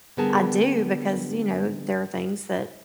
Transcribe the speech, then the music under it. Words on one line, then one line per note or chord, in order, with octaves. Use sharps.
I do because, you know, there are things that
D3 G3 B3 G#4 A#4 A5